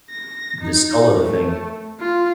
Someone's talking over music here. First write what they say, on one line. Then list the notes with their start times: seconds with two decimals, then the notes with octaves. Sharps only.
in the skull of the thing.
0.10 A#6
0.60 D#4
1.17 A3
2.00 F4